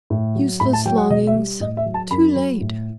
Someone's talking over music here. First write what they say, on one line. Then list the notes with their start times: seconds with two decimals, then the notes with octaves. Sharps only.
Useless longings! Too late!
0.10 A2
0.35 F#3
0.60 A2 B5
0.73 A5
0.86 F#3 G5
0.98 F#5
1.10 B2 D#5
1.27 E5
1.36 G3
1.60 A2 D#5
1.77 E5
1.85 F#3
1.94 A5
2.11 F#2 B5
2.35 F#3
2.61 A2